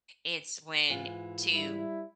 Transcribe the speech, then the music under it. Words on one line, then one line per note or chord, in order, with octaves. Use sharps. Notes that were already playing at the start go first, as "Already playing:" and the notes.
It's when to
G#2 E3 F4
G3 E4